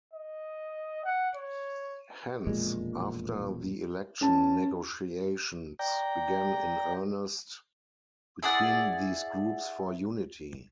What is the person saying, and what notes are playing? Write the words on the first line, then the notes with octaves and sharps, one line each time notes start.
Hence after the election negotiations began in earnest between these groups for unity.
D#5
F#5
C#5
E1 F2 A#2 G#3
C#4 A5
D5 G5 A#5
E4 G#4 D5 F#5